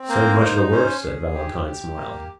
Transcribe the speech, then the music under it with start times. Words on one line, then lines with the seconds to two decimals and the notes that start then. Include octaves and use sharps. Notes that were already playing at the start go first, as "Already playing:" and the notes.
"So much the worse," said Valentine, smiling.
Already playing: C4
0.09 A#3 C5
0.40 D#4 C5
0.71 C#4 C5
1.02 G#4
1.34 G4
1.65 G4
1.96 A#3